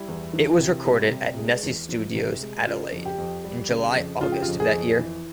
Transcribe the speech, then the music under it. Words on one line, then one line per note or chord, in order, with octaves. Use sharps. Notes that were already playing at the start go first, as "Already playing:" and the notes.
It was recorded at Nesci Studios, Adelaide, in July-August of that year.
Already playing: G3 E4
E2
E3
C3
G3
C3
G#3
E2
F3
C3
G#3
C#3 F4
F2
G4
F2
G3
C#3
F2
C#3 F4
G4
F4
F2
G#4
F2
E3